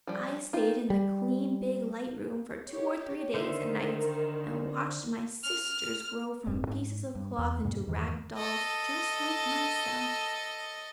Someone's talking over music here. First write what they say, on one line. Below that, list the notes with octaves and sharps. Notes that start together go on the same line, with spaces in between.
"I stayed in the clean big light room for two or three days and nights and watched my Sisters grow from pieces of cloth into rag dolls just like myself!"
F3 G3
D#4 F4 G4
G3
G4 C#5
D3 D#3 C5 E5
F6
E1 G2 C4
G#2
G2
E2
D2 G2 B2 A#3
E2 G2 D#3 E3
A4 D#5